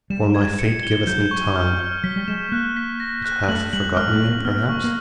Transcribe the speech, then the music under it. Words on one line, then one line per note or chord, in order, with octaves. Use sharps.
For my fate giveth me time: it hath forgotten me perhaps?
G3 E7
G#6
C#7
G7
F#3 G6
C#6
F6
F6
F#3 B6
G3
G#3 E7
A#3 F#6
B6
A#6
F#6
A3 F#7
G3 F#7
G#3 F6
A3
F6
A#3
C4
B3 F6
A#3 C#6
A#3